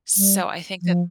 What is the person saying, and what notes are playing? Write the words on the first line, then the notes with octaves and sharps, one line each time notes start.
so I think that
G3
F3